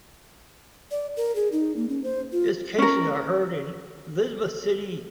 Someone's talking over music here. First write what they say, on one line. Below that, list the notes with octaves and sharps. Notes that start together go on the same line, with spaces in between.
Its cases are heard in Elizabeth City.
D5
A#4
G#4
D#4
A#3
C#4
C5
F4
C#4 A#4